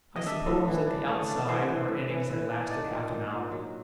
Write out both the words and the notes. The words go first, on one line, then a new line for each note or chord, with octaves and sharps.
I suppose, at the outside, our innings had lasted half an hour.
D#5
D4 E5
A2
E3
D4
A3
D4
E3 C5
E3
A2
E3
E3
D4
D#4 D5
A#2
A#2
A#2
F#3